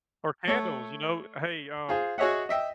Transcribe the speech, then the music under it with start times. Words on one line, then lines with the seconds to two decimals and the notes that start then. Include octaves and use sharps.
Or candles, you know, "Uh, hey, um,
0.48 A3 C#5
1.89 F4 G#4 C5
2.18 F#4 G#4 C#5 D#5 E5 F#5
2.49 D#5 E5 G5